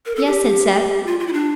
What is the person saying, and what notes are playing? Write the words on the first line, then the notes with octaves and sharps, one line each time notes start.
"Yes," said Seth.
A#4
A4
G4
F4
F4
E4
D4